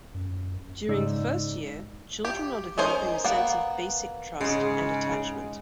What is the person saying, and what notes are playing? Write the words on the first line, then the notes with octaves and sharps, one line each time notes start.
During the first year, children are developing a sense of basic trust and attachment.
F#2
G#2 C#3 G#3 D#4 D5 E6
G4
C#4 D#4 A#4 C5 D#5
A#3 B3 F#5
G#2 C#3 G#3